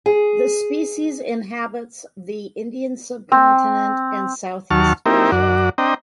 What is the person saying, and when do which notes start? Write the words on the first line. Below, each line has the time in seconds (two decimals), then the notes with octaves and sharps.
The species inhabits the Indian subcontinent and Southeast Asia.
0.06 G#4
3.32 C4
4.71 D#2 F#3 A5 C#6 F6
5.06 A#3 C4 D#4 E4 G4 A#4
5.32 F#2 F#4 D5
5.78 C4 D4 D#5 G5 A#5